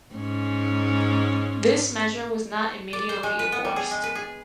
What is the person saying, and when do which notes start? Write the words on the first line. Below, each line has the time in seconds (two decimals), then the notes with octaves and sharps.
This measure was not immediately enforced.
0.15 G#2 C#4
2.93 D5
3.09 C5
3.23 G#3
3.39 B4
3.52 B3
3.65 G3
3.76 G#4
3.91 G#3
4.04 B4
4.15 G#4